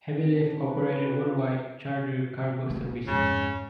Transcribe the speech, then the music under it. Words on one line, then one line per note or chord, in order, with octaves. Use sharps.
Heavylift operated worldwide charter cargo services.
C4
D4
D#4
B4
B4
F4
A#3
F2 G#2 C#3